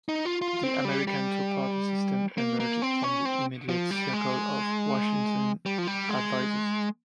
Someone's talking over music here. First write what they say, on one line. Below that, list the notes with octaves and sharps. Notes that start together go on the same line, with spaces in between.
The American two party system emerged from the immediate circle of Washington advisers.
D#4
F4
F4
C4
G3
G3
A#3
A#3
C4
C#4
C4
F3
G3
G#3
G3
F3
G3
G#3